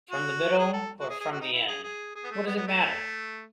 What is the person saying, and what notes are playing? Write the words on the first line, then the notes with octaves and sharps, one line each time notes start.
From the middle or from the end — what does it matter?
F#4
G#4
A4
F#4
G#4
G#4
F#4
D#4
E4
G#4
G#4
G#4
B3
A3
B3
B3
A3